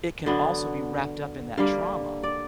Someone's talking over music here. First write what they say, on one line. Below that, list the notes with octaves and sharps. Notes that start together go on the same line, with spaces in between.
it can also be wrapped up in that trauma.
D3 F#3 B3
D3 G3 A#3 F5
D5